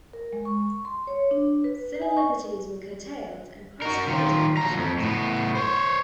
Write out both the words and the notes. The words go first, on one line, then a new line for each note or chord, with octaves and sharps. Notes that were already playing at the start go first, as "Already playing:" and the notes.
Civil liberties were curtailed and press freedom muzzled.
A#4
G#3
C#6
C6
C#5
D4
B4
G#5
C#6
F#4 A#4
D#3 F4
F3 A#5
F2 G#2
A2 B3
C5 C#5